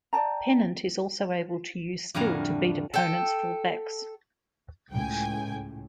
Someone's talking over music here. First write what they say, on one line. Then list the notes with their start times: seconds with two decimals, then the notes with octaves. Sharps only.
Pennant is also able to use skill to beat opponents' full backs.
0.13 D5 G5 A5 A#5
2.14 F2 A2 D3 G3 F5 A#5
2.94 A4 G5
4.92 C#2 A2 G5 G#5